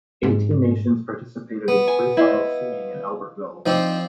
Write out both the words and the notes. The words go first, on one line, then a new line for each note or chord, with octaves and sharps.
Eighteen nations participated in freestyle skiing at Albertville.
G#2
B3
G#5
E4 D#5 F5
F3 C4 D4 D#4